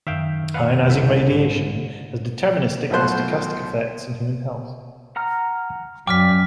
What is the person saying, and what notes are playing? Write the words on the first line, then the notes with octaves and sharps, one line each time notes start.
Ionizing radiation has deterministic and stochastic effects on human health.
F#2 D#3 E5 F5 G5
B4 F5 F#5
C2 E5
G#2 D3
B1 B2 F3 A3 C5 F#6
F#5 A#5 F6
F#2 D5 F5 G5 D6 F6 B6